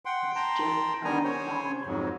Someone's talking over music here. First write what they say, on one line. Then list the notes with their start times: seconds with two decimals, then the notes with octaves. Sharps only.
It's just funny sounding.
0.05 F#5 G5 C6
0.36 G5 A5 A#5 C6
1.04 D#3 G3 B3 G#5 A#5
1.24 C5 C#5 G#5
1.86 F2 G#2 F#3